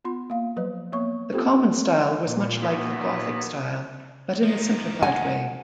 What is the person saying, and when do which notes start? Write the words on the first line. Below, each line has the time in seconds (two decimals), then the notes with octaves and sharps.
The common style was much like the gothic style, but in a simplified way.
0.05 B3 F4 C6
0.30 A#3 F5
0.56 F3 F#3 B4 D#5
0.92 A#3 B3 C#5 C#6
1.32 B3 C4 F4 G4 A4 C5
2.25 A#2
2.62 D#2 B3
4.44 F3 D#4
5.02 F#5 G#5